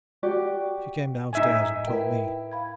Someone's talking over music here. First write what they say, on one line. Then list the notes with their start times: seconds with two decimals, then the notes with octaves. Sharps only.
She came downstairs and told me.
0.23 F#4 G4 D5
1.33 A2 D#4 D#5 E5 G#5
1.87 E4 A#4 B4 G5
2.52 F5 B5 G#6